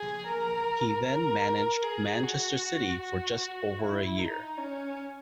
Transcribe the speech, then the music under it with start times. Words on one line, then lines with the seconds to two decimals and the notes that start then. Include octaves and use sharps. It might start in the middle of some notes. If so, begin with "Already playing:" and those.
He then managed Manchester City for just over a year.
Already playing: G#4
0.27 A#4
1.05 A#4
1.83 G#4
2.23 F#4
3.01 F#4
3.79 E4
4.19 D#4
4.58 C#4